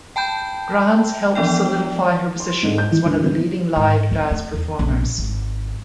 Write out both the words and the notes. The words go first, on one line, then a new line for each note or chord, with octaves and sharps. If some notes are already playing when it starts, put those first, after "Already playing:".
Granz helped solidify her position as one of the leading live jazz performers.
G5 A5 B5 G6
E3 F3 B3 D4 D5 G5
C6
G#2
G6
E3
D2
G1
G#2
C2
A3
E2
A#1
G#1